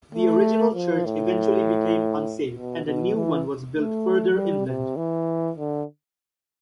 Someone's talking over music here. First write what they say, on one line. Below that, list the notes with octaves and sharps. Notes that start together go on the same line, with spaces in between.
The original church eventually became unsafe and a new one was built further inland.
A3
F3
A2
B2
B2
E3
A3
G3
C3
E3
D3